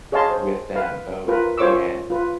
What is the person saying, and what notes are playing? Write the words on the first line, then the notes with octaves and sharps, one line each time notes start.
with them both, and
G#4 C#5 D#5 F5 A5 C6
C5
B4 F5
F4 A#4 B4
F4 C5 C#5 C#6 D6 E6
F4 B4